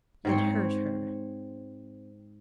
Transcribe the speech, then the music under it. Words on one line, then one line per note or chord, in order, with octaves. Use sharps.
It hurt her.
G#2 C4 C#5